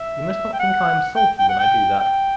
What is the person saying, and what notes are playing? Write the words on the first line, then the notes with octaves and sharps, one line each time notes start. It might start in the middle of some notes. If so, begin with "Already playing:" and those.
You must not think I am sulky when I do that.
Already playing: E5
G5
F#5
G5
G5
F#5
G5
G5